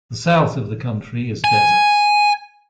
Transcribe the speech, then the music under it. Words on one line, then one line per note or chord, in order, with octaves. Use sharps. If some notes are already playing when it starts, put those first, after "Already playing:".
The south of the country is desert.
G#5